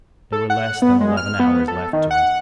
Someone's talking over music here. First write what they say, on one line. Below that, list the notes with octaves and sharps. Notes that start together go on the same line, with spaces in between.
There were less than eleven hours left to him.
A4
F#5
B3
G#3
F6
B3
A4
D#3
F#5